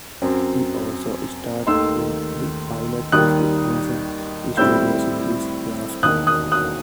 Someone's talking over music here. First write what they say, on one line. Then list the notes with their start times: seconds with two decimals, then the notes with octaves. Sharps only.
He also starred in the pilot of the Amazon Studios series "The After".
0.21 F#2 F#3 C4
1.67 D#2 D#3 A3 D#4 C6 E6
3.12 D#2 D#3 G3 D#4 D#6 F#6
4.57 A2 G3 C4 E4 E6 G6
6.03 E1 D#2 D#3 D#6 F#6
6.27 D#6 F#6
6.52 D#6 F#6